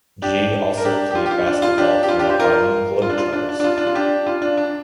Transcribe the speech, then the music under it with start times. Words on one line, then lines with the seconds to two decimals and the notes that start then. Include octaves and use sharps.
Gee also played basketball for the Harlem Globetrotters.
0.22 D4 G4
0.78 A#4
0.85 D4 G4
1.11 G4
1.15 F4
1.26 G4
1.31 F4
1.46 D4
1.62 F4
1.78 D4 G4
2.03 G4
2.09 F4
2.19 D4 G4
2.29 G4 C5
2.40 F4 A#4
3.02 F4
3.10 D4
3.18 F4
3.33 D4
3.49 D4
3.60 D4
3.64 F4
3.78 D4
3.87 F4
3.95 D4 G4
4.27 F4
4.42 D4
4.57 D4